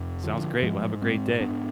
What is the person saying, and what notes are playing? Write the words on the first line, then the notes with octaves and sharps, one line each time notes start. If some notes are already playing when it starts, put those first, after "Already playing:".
Sounds, great, well, have a great day.
Already playing: F2 C3
D3 F3
G#2 F3 G#3
G#3 C4
B3 D4